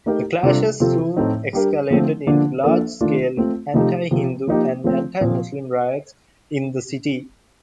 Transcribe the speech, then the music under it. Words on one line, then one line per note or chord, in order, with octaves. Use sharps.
The clashes soon escalated into large-scale anti-Hindu and anti-Muslim riots in the city.
A3 D#4 G4 A#4
C3 G3 D4 F4 A4
C3 F3 C4 F4 A4
A2 A3 C4 D#4
G3 D4 G4 A#4
D3 F3 A3 C4
D3 F3 A#3 D4
F3 A#3 D4 A4
D#3 A3 D4 F4
A3 C4 F4
C3 F3 A3 D#4 G4
C3 F3 C4
F3 A#3 D#4 G4
F3 A3 C4
A#2 F3 C4